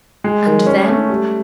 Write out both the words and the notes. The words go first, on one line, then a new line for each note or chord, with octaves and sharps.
"And then?"
G#3
D#3
C#4
A3
G3